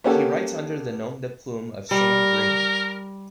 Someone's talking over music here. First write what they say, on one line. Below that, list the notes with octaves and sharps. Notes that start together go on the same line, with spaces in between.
He writes under the nom-de-plume of Sam Green.
A#3 B3 C#4 G4 A4
G3 A#4